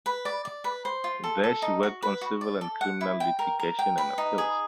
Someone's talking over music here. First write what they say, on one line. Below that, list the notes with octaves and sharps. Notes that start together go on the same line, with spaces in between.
There she worked on civil and criminal litigation and appeals.
B4
D5
D5
B4
C5
F4
A4
A4
D#4
F#4
B4
F#4
D5
A4
F#5
E4
G5
A#4
A#4
G5
B4
D#4
G#4